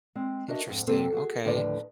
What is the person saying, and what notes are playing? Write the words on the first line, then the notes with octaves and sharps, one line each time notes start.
Interesting. Okay.
G#3 C4
D4 F#4 A#4 D#5 E5
F2 G#2
E2 C3 A#3 C4 A4 C5
F#4 G#4
D#2 A2 D3 F3 B4 D5